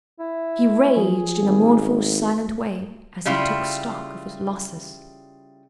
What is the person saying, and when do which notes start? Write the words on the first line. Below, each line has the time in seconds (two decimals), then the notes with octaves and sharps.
He raged in a mournful, silent way, as he took stock of his losses.
0.19 E4
0.96 F3 G#4
1.42 G#1
3.25 C#3 G3 E4 F4